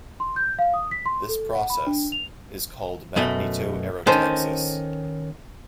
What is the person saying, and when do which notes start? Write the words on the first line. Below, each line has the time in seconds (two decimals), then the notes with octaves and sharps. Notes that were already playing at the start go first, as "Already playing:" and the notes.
This process is called magneto-aerotaxis.
0.20 C6
0.36 G6
0.59 F5
0.74 D#6
0.91 B6
1.06 C6
1.29 A4
1.55 F#5
1.70 B5
1.87 D4
2.12 F7
3.16 F#2 B2 A3
4.07 D#3 C#4 A4 C5